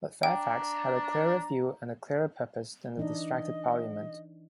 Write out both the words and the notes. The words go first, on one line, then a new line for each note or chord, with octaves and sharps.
But Fairfax had a clearer view and a clearer purpose than the distracted Parliament.
D4 G5 A#5
E3 D4 D#4 D#5